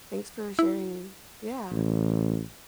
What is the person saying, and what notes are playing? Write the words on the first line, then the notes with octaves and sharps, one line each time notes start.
thanks for sharing Yeah,
E4
A1